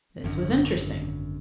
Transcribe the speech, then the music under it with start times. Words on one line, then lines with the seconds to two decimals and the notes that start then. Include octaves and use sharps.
This was interesting.
0.24 G#1 F#2 D3